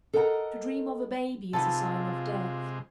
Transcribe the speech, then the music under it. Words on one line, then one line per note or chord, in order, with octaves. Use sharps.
To dream of a baby is a sign of death.
A4 A#4 D#5 F#5 G5 A#5
C3 G#3 B3 D#4 F4 A4